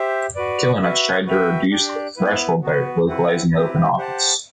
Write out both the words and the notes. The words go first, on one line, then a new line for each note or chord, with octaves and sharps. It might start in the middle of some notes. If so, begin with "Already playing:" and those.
Kilinux tried to reduce the threshold by localizing Open Office.
Already playing: G4 C5 E5
F#4 B4 D5
F#4 B4 E5
F#4 B4 E5 G5
D4 G4 D5
B3 E4 B4
B3 F#4 B4
C4 E4 B4 F#5
C4 E4 G4 B4
G4 C5 F#5 A5